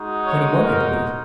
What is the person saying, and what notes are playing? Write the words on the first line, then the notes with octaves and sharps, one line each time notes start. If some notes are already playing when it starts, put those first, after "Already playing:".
"Twenty-one, I believe."
Already playing: G#3 D#4 F#4
C#5
A#4